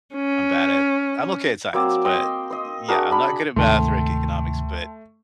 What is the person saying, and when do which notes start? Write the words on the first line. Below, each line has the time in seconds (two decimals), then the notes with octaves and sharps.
I'm bad at I'm okay at Science, but y yeah, I'm not good at Math or Eco Economics, but
0.15 C#4
1.73 F#3 A#3 C4 D6
2.05 D#5 G5 C6 D6
2.50 C5 D#5
2.88 D4 F#4 G#4 A#4
3.11 D4 B5
3.56 D2 G#2 C3 D#3 A3 G5 A5 C6